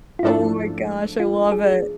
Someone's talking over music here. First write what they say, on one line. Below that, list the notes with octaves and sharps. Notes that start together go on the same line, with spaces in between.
Oh my gosh, I love it.
F4
G#2 F3 A3 D4 E4 A4
F4
G#4